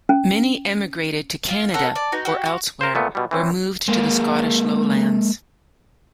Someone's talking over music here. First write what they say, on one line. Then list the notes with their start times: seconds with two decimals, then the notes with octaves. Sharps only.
Many emigrated to Canada or elsewhere, or moved to the Scottish Lowlands.
0.09 C#4
1.49 F4
1.74 A4 A#4 C#5 F#5
1.95 D5 A5
2.12 B3 D#4 F#4
2.25 F#4 G4
2.46 F#4
2.81 A#4 C5
2.95 A#2 A3 B3
3.15 B2 G3
3.31 E3 C4 C#4
3.88 G#3 A#3